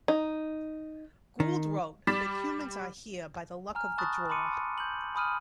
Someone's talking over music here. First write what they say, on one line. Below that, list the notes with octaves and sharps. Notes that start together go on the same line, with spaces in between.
Gould wrote that Humans are here by the luck of the draw.
D#4
D#3
G3 B5 D6 A6 B6 E7
G#5 A#5 F6
A5 B5 C#6 D#6 F#6 A6
A5 B5 C6 D6 C#7 D#7
G6 F#7
G#5 B5 D#6 F6 D#7